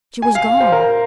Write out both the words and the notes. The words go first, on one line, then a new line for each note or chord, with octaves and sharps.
She was gone.
G#5
F5
C5
A#4